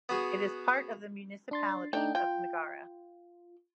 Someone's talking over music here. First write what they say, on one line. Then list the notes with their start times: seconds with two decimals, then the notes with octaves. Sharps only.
It is part of the municipality of Megara.
0.09 B3 F#4 G#4
1.51 D4 C6 A6
1.93 A3 D4 D#4 G5
2.15 F4 G5